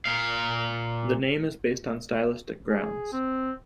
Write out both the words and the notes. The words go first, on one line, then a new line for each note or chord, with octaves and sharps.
The name is based on stylistic grounds.
A#2 F5
G#4
C4